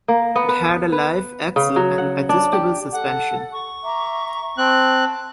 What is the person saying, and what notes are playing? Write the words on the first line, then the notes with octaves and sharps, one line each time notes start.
It had a live axle and adjustable suspension.
A#3
B3
B4
B4
C#3
F#3
F#5
D4
G4
A4 F#5
C#6
E5 A#5 D6
C4 A5 F#6